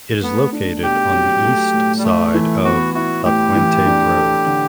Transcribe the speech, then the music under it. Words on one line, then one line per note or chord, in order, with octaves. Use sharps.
It is located on the east side of La Puente Rd.
A3 B3
D4
B2 G4
F#3
A3
A2
G3
A2 A3
E3
B3 F#4
E4 F#4
A2 G4
E3
D4
A4
D3